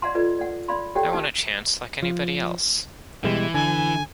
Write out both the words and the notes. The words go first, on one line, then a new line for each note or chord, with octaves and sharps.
I want a chance like anybody else.
D5 D#5 F5 F#5 A#5 C6
F4 A4 B4 D5 D#5
D5 F#5
D5 F5 B5 C6
G4 A4 C#5 D5 F#5 G5
D#4 G4 D#5 A5
F3
B2 E3 G3 G#3
D3 G#5